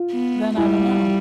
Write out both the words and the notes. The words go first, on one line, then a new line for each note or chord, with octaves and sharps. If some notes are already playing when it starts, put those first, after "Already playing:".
Then I don't know,
Already playing: F4
B3
G3 E4